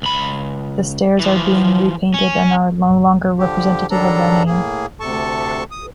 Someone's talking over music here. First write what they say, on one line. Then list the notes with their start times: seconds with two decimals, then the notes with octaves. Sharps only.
The stairs are being repainted and are no longer representative of their name.
0.02 C#2 B5
1.19 E3 F3
2.14 C#4
3.39 D3 F3 G4
3.91 D#3 F#3 G3 D4 A4 A#5
4.46 A2 A#3 G#4
5.00 D2 C3 A4 A5 C#6
5.71 D#6